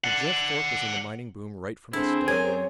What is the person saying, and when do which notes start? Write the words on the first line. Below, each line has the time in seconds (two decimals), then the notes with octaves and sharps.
But Jeff Thorpe was in the mining boom right from the start.
0.04 D5 F#5
1.93 D3 C4 E4 G#4
2.28 F#2 A#4 C#5 G#5